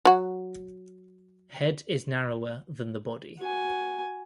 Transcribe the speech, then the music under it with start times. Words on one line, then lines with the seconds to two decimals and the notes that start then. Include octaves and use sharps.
Head is narrower than the body.
0.05 F#3 F#4
3.39 F#4 G#5